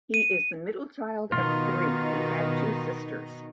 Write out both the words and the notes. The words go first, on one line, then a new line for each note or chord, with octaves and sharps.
He is the middle child of three; he had two sisters.
D#7
B2 D#3 D#4 F4